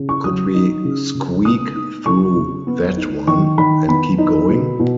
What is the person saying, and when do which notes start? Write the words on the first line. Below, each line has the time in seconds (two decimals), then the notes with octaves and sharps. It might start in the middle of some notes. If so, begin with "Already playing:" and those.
Could we squeak through "that" one, and keep going?
Already playing: C#3
0.09 C#6
0.24 F#3 D#6
0.54 D#4
0.85 C#3
1.15 C#3
1.45 B3 D#6
1.76 D#4
2.06 C#3 C#6
2.37 C#3
2.67 B3
2.97 D#4
3.27 D#3 C#6
3.58 D#3 B5
3.88 B3 B5
4.18 D#4
4.50 B2
4.80 B2